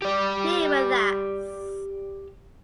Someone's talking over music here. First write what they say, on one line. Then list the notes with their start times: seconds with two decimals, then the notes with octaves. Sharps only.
Kneel with us!
0.02 G4 D5